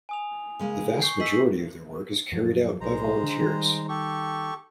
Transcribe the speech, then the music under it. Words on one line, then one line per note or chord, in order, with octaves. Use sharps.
The vast majority of their work is carried out by volunteers.
G#5 D#6 F7
C#3 G#3 A#3
C#6 G6 C7
D#5 E6 B6 F#7
F#2 F3 F#3
B1 G#3 C5 A#5
D3
D#3 G3
G4 A4 C#6